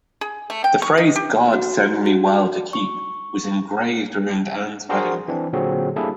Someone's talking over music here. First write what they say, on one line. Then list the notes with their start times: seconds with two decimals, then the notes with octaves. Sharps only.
The phrase "God send me well to keep" was engraved around Anne's wedding ring.
0.21 G#4
0.50 A3
0.64 G5
0.82 C#6
0.98 D#4
1.16 G4
1.53 F#4
2.06 F#4
2.73 C#6
4.89 D4 F#4 G#4 A#4 C5 C6
5.28 E3 C4 D4
5.53 A#2 D3 F#3 C4 F#4 G#4
5.96 G3 A#3 D4 E4 G#4 A4